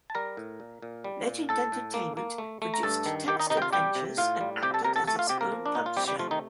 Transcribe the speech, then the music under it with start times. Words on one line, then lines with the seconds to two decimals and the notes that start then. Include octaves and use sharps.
Legend Entertainment produced text adventures and acted as its own publisher.
0.10 A5
0.15 G3 A#4 A#5
0.37 A2
0.60 A#2
0.82 A#2
1.04 G3
1.28 A#2
1.49 A2 A4 A5
1.72 A2
1.94 A#3
2.17 A#3
2.38 A3
2.62 A3
2.74 A#5
2.83 G2 A4 A5
3.06 D#3
3.28 D#3 G4 G5
3.40 D#4 D#5
3.50 C3 D#4 D#5
3.57 G5
3.62 F4 F5
3.73 G3 G4 G5
3.95 C3
4.17 A2 F4 F5
4.41 G3
4.63 C3 G4 G5
4.74 A4 A5
4.85 C3 A#4 A#5
4.96 A4 A5
5.07 A3 A4 A5
5.19 F4 F5
5.29 C3 G4 G5
5.41 A#3 A#4
5.52 F3
5.66 D4
5.75 A#2 D#4
5.86 F4
5.97 C3 G3 G4
6.08 G3 G4
6.19 F3 A3 F4
6.31 D#3 D#4